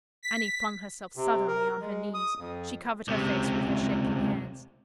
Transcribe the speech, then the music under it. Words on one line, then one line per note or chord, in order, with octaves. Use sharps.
Annie flung herself suddenly on her knees; she covered her face with her shaking hands.
B6
C3
A#4
G#3
D#6
F2
C#2 C3